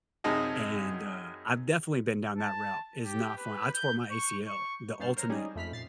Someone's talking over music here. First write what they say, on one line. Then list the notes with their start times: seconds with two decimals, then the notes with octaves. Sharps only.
And, uh, I've definitely been down that route is not fun. I tore my ACL, the ultimate
0.24 F#2 C3 D#4 G#4 D#5 A5
2.38 A5
3.05 G4
3.37 B4
3.74 G6
4.11 C#6
4.48 C#6
5.00 G2 B3 C5 A5 F6
5.16 A#4 C5 C#5 A#5
5.29 G3 G#3 C#4 D#4 G4 G#4
5.55 F2 A3 B5 F6 B6
5.72 A#2 A6 C7